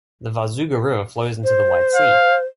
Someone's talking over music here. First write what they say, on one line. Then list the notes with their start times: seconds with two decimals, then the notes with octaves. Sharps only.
The Varzuga River flows into the White Sea.
1.44 C5
1.95 F5